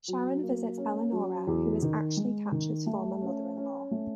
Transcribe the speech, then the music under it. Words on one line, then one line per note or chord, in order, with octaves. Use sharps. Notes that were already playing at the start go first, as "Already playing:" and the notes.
Sharon visits Elanora who is actually Catch's former mother-in-law.
F#3
A#3
C#4
F#3
E2
D#3
G#3
D#3
A3
C#4
C#4
A3